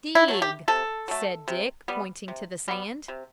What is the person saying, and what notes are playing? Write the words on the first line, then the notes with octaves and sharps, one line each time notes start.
"Dig," said Dick, pointing to the sand.
E4
F#3 A3
G4
C3 A4
F#3 A3
C3
G3 B3
C3
G3 B3
C3